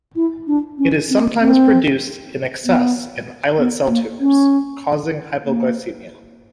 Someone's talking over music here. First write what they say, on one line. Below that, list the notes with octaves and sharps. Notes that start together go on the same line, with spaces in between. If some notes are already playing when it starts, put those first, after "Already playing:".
It is sometimes produced in excess in islet cell tumors, causing hypoglycemia.
E4
D4
C#4
C4
C4
B3
B3
A#3
C#4
A#3